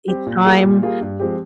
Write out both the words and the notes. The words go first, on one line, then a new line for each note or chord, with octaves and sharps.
each time,
G3 C4 G4
A#2
G3 A#3 F4 G#4
A#2
G3 A#3 F4 G#4
G2
F3 G#3 C4 G4